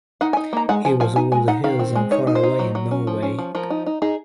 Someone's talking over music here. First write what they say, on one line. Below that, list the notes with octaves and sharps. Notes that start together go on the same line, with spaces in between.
He was over the hills and far away in Norway.
D#4 F#5
G#5
D#4
A#3 A#5
G#3 F#5
F3 G#5
F3 G#5
D#4 G#5
G#3 G#5
D#4 F#5
D#3 F5
C4
G#3
D#4 C#5
D#4
C5
D#4
F#3
F#3
C#4
F3
C#4
F3
F3 A#4
D#4
D#4
D#4 G#4